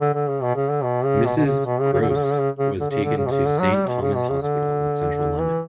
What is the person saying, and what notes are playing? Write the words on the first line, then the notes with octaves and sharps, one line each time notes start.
Mrs Groce was taken to Saint Thomas' Hospital in central London.
D3
D3
C#3
B2
C#3
D3
B2
C#3
B2
B2
C#3
B2
C#3
C#3
D3
C#3
D3
C#3
D3
C#3
C#3
D3
C#3
D3
C#3
B2
C#3
D3
F#3
G3
B2
C#3
B2
C#3
D3
E3